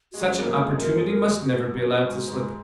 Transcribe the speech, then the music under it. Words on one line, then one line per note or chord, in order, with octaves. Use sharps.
Such an opportunity must never be allowed to slip.
G#3 F#4
F#2 F#3 G#4
A#3 A#4
G#2 G#3
G#4
F#2 F#3
A#4
G#4
A#4
G#4
F#4
F#2 F#3
G#2 G#3
G#2 G#3